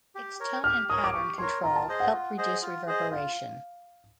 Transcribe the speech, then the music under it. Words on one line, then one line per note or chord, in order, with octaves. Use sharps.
Its tone and pattern control helped reduce reverberation.
G4
A#4 C#5
G4 F6
A#4 C#5 D#6
D6
G4 C#6
A#4 C#5 C6
F4 A#5
A5
G#4 C5 D#5
F#5
F4
G#4 C5 D#5
F4
G#4 C5 D#5
F4 F5